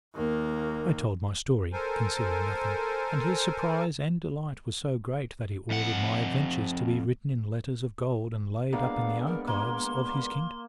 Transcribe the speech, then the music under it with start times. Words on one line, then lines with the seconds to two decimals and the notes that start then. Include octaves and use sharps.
I told my story, concealing nothing, and his surprise and delight were so great that he ordered my adventures to be written in letters of gold and laid up in the archives of his kingdom.
0.15 D#2 A#3
1.73 A4 A#4 C5 G#5
5.70 F2 F#5
8.73 G#3 A#3 B3 D4 F5
9.26 A#4
9.47 A#3 C6